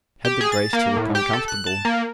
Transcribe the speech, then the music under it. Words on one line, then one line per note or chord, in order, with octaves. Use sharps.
He had the grace to look uncomfortable.
G4
G#4
A6
A#3
A2
G4
A4
F#6
A5
A#3